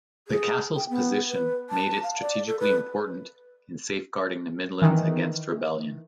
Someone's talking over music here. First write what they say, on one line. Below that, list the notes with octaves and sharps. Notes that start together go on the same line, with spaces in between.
The castle's position made it strategically important in safeguarding the Midlands against rebellion.
G#4
G5
B3
B4
A5
F5
D5
A4
B4
D#3 E3